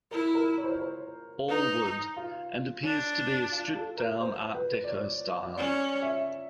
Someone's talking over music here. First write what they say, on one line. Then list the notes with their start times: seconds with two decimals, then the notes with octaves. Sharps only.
Allward and appears to be a stripped down Art Deco style.
0.11 E4 A#4
0.34 A#4
0.58 C#5
0.64 C5
0.72 C#5
0.79 C5
1.48 D#4 B4
2.17 F4
2.84 D4
3.52 F4
3.75 A4
3.97 A#4
4.21 C5
4.55 B4
4.84 D5
4.89 C#5
5.56 C#4 D5
6.02 E5